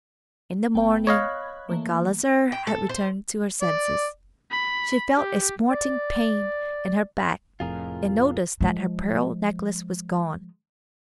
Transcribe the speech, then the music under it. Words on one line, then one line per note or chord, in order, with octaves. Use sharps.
In the morning, when Gulizar had returned to her senses, she felt a smarting pain in her back, and noticed that her pearl necklace was gone.
G1 B3 G5
C#5 D#5 F5 B5 F#6 G#6
E3 A3 A#3
G5
A4
C5
D5
B5
G4
D5
F1 F2 A2 F4 G#4 A#4
F3 G#3